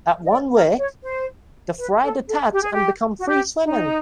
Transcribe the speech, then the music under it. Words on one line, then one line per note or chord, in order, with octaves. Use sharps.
At one week, the fry detach and become free-swimming.
D#5
D5
A#4
C#5
C5
B4
A4
A4
G4
G#4
G4
F#4
G4
D#4